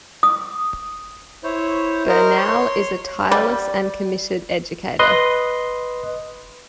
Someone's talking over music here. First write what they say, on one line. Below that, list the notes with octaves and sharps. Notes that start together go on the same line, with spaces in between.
Bernal is a tireless and committed educator.
D#6
E4 C5 C#5
A#4 C5 D#5
C#5 C6
G3
B4 D#5 C6